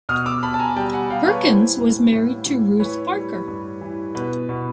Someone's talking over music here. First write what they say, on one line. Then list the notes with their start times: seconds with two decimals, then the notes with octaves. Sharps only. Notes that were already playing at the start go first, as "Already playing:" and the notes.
Perkins was married to Ruth Parker.
0.09 B2 D#6 F6
0.26 D6 E6
0.43 B2 A5 B5
0.54 A5
0.59 G#5 A#5
0.76 G3 G5 A5
0.94 F#5 G#5
1.10 G3 F5 G5
1.27 B4 C#5
1.44 E3 C5
1.78 A2
2.12 A2
2.46 A2
2.80 E3 B4 C#5
3.13 G3
3.47 G2
3.81 E3
4.15 B2 B4
4.49 B2